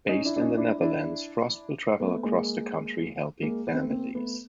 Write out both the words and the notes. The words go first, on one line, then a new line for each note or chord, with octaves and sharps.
Based in the Netherlands, Frost will travel across the country helping families.
C#4 D#4
D4 E4
D4
C#4 D#4
D4 E4
D4 E4
A3 B3
G#3 A#3
G#3 A#3
B3
C4
A3 B3
A#3 C4
A3 B3